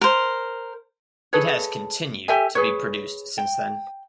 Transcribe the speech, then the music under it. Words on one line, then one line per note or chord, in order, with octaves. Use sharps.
It has continued to be produced since then.
A#4 C5
G#4 A4 B4 C#5
G4 A4 E5 G#5
G#4 B4 C#5
G5